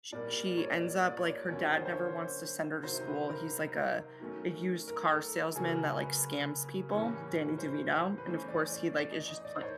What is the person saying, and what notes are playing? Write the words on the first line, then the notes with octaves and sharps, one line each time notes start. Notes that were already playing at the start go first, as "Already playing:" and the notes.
sh she ends up like, her dad never wants to send her to school, he's like a a used-car salesman that, like, scams people Danny DeVito, and of course he, like, it's just pl
A#2 G3 A#3 D5
D5
C#5
D5
D5
D5
C#5
D5
D3 F#3 A#3 C#4 C#5
C5
C5
C#5
C3 D#3 F#3 C5
B4
A#4
D#3 F#3 A3 C#4
A#4
A4
C#3 F#3 A#3 C#4 G#4
A#4
B4
A2 E3 G3 A#3 C#4
B4
C5
B4
E3 A3 C#4 C5
D5
D5
D5
D#5
D#5
D5
C5
D#3 C#5